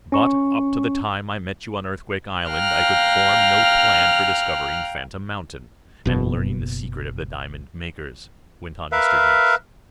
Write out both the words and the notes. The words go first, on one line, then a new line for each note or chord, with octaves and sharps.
"But, up to the time I met you on Earthquake Island, I could form no plan for discovering Phantom Mountain, and learning the secret of the diamond makers," went on Mr. Jenks.
C#4 C#6
F5 G5 A#5 F6 F#6
F#1 B2
A#4 B4 E5 F5